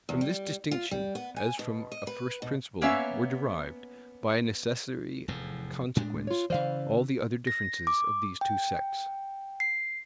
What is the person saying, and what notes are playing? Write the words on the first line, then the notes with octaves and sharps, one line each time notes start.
From this distinction, as from a first principle, were derived, by a necessary consequence, all the other differences of these two sects.
E2
G3
F4
G3
B3
G#5
B2
D#5
B4
B2
A#3 B3 C#4 C#5 E5 F5
F1 E2 A2
A2 G#3 D4
F4 C#5
C#3 E3 C5 D5 F5
A#6
D6
G5
C7